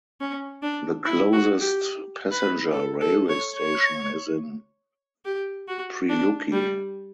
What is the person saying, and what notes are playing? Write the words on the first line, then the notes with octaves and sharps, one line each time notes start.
The closest passenger railway station is in Pryluky.
C#4
D4
E4
F#4
G4
B4
A4
A4
C#5
C#5
G4
F#4
D4
G3